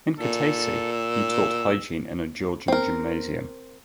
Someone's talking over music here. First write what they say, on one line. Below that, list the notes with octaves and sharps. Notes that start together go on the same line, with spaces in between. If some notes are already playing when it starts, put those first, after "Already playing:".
In Kutaisi he taught hygiene in a Georgian Gymnasium.
A#2 A4
E6
C4 A#4